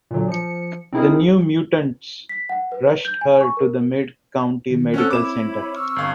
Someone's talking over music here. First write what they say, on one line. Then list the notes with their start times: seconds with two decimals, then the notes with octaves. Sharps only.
The New Mutants rushed her to the Mid-County Medical Center.
0.11 A#2 D3 F#3
0.28 F3 C#7
0.93 C4 D#4 E4 G#4 A#4
2.29 B6
2.49 F#5
2.72 B4
3.05 G6
3.21 G#5
3.41 C#6
3.57 A#4
4.71 D#3
4.94 C4 C#4 A4 F#5 E6 F#6
5.11 E4 C#5 B5 D6 E7
5.73 C#6 E6 F6
5.96 G1 F5